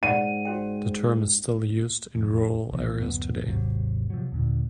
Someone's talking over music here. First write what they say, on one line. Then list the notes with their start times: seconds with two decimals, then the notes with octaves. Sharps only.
The term is still used in rural areas today.
0.03 G#2 D5 F#5 G5 D#7
0.45 F#4 C5 G5
2.17 E1 F2
2.71 B1 E3 B3
3.00 D1 F#2 A3 B3
3.45 G#1 D#2 C3 F#3
4.10 C3 F3 F#3
4.32 D#2 A#2 D3